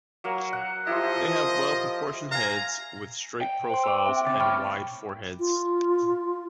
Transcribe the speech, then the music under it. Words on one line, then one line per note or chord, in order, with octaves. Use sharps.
They have well-proportioned heads, with straight profiles and wide foreheads.
F#3 A#3
F#5
F3 E4 G4 C5 D#5
F5 G#5 A#5
G5
C5 C6
D6 E6
C4 E5
C#3 C4 G5 D6 A6
A2 G5 B5 C#6 F6
F4